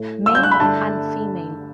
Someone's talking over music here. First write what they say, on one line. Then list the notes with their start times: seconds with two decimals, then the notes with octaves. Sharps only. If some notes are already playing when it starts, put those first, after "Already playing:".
Male and female.
Already playing: A2
0.26 E6
0.35 G6
0.43 F#6
0.51 B5
0.60 G2 D3 A3 D4 A5